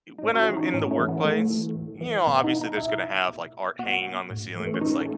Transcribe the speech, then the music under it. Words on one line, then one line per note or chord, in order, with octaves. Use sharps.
when I'm in the workplace, you know, obviously, there's gonna have, like, art hanging on the ceiling that's, like,
D#4
A2 C#4
F#4
E4
E3 C#4
D#4
A2 C#4
A3
E3
B3
A2 A3
E3
A2
E3
B2 B3
D#4
D#4
B2 E4
B2
B2 F#4
A2
E3 A3
B3
C#4
A2 D#4
A3